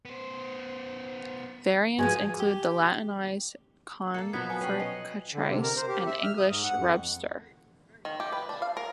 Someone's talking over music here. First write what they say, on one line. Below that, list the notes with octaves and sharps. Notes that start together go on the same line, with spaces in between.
Variants include the Latinized "confricatrice" and English "rubster".
B3 C5
F3 F#3 G#3 F#4 G#4 B4 G#5
G4
A#3 A4 C#7
B2 F3 F#3 B3 G#6 B6
B3 G#5 A5 C#7
C#4 B4 G5 C#6 B6 C7 F#7
C#5 D#5
D3
C3
A#4
C5
G4
E5
F6
D#6
G#2
F#5
F2
D#3
G4
B4
D4
F5
A#4